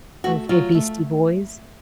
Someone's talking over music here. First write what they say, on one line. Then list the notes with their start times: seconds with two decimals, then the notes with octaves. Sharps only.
Okay, Beastie Boys.
0.24 A3 F#4
0.49 F#3 F4
0.74 A3